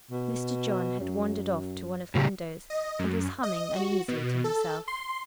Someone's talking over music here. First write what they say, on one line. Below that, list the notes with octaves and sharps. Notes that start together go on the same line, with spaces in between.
Mr. John had wandered off to one of the windows and was humming uneasily to himself.
B2
F#2
A2 C#3 G4
D#5
F#2
D#5
F#4
B2
A4
C6